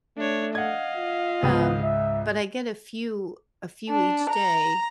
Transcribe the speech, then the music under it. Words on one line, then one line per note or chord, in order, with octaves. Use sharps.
Um, but I get a few a few each day
A3 D4 C#5
D#5 F5 F#5 G#6
F4
C#2 G#2 B3 D#6
E5
D4
A#5